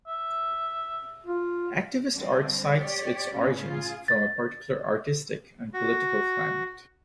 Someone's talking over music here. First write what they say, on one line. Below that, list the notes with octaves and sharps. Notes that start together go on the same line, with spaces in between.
Activist art cites its origins from a particular artistic and political climate.
E5
F4
D3 G3 C4
G4 C#5 D5
A2 C#3 B3 C#4
F4 G#4
A6
F#4